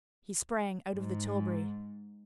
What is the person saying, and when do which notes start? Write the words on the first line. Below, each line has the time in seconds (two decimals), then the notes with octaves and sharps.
He sprang out of the tilbury.
0.96 G#2